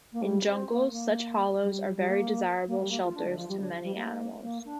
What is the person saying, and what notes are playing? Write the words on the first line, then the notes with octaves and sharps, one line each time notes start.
In jungles, such hollows are very desirable shelters to many animals.
A#3
G3
C4
A#3
A#3
G3
G3
A#3
A#3
G3
A#3
F4
D4
D3
F3
G3
D3
F3
G3
A#3
A#3
D4